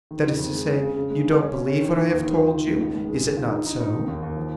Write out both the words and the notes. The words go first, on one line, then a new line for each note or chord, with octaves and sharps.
"That is to say, you don't believe what I have told you; is it not so?"
D#3
F2
F2
G#3
G#3
C#3
C#3
G#3
C#3
C#4
C#4
C#4
D#3
D#3
D#2
D#3
F4
D#3
C#2
C#2
C#2
G#3
D#3
F4
D#4
D#4
D#4
D#3
D#2
D#2
F3